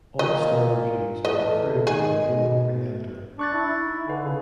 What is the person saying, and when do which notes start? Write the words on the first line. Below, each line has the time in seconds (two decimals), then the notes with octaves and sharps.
All starred reviews are approved by the appropriate editor.
0.19 A#2 D#5
1.25 E2 A4 D#5
1.87 D#3 G#3 G#4
2.25 B2
3.39 D4 C#6 F#6 A6
3.53 E4
3.84 D#4
4.08 D3 B4 G#5
4.25 C#3